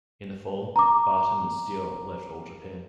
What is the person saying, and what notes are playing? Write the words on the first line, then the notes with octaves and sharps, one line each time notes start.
In the fall, Barton and Steele left All Japan.
A#5 D6